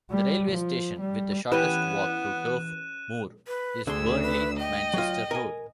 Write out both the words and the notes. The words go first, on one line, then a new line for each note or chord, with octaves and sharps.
The railway station with the shortest walk to Turf Moor is Burnley Manchester Road.
G3
F3
G3
E3 B3 C#4 G4 B4 F#6 D#7 E7
B4
D2 D3 G#4 C6 E6
B4
D#5 G5
F#3 F4
A#4 G#5